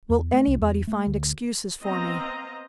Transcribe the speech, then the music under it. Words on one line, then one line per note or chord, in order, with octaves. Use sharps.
Will anybody find excuses for me?
E2
A3
C2
E2
A3
D2
B3 C4 D#5 F5 A#5